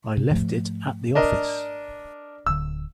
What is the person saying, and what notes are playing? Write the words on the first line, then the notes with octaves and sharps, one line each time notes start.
I left it at the office.
C3
G#2 F3 A3
D4 A#4 D#5
D1 D3 E6